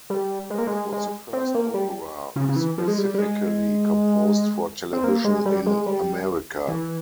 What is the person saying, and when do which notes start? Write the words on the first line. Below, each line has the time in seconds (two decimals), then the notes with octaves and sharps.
It was the first opera specifically composed for television in America.
0.10 G3
0.50 G#3
0.58 A#3
0.67 G#3
0.92 G#3
1.33 C4
1.54 A#3
1.74 G3
2.36 C#3
2.49 C#3
2.56 E3
2.78 F3
2.88 G#3
2.98 G3
3.14 G3
3.18 G#3
4.93 C4
5.04 A#3
5.24 G#3
5.45 G3
5.66 G#3
5.86 G3
6.68 E3